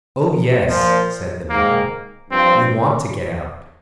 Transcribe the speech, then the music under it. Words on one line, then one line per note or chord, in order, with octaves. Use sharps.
"Oh yes," said the man, "you want to get out."
A#2 F3
G#2 D#3 A#3
G2 F3 C4